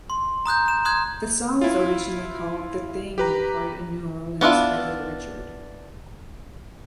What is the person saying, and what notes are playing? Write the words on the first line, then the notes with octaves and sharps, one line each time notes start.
The song was originally called "The Thing", recorded in New Orleans by Little Richard.
C6
A#5 D#6 F#6 G6
E7
C6 D#6 F#6 G#6
E4 F4
G4 B4 A#5
B3 D4 E4 F4